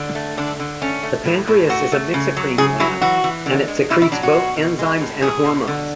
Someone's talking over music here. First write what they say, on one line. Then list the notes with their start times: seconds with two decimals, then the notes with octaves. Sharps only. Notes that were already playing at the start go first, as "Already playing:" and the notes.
The pancreas is a mixocrine gland and it secretes both enzymes and hormones.
Already playing: D3
0.15 A3
0.37 D3 D4
0.60 D3
0.82 A3 C#4
1.03 A3
1.25 A2
1.47 A2
1.69 A3 F#4
1.92 A3
2.14 C#3
2.37 F#3
2.58 C#3 G#4
2.80 F#3 E4
3.02 E3 F#4
3.24 E3
3.46 D3
3.68 G#3
3.90 B2 E4
4.02 E4
4.12 F#3 D4
4.23 F#4
4.34 B2
4.56 B2
4.79 G#3
5.00 A2
5.22 F#3 G#4
5.45 B2
5.67 D3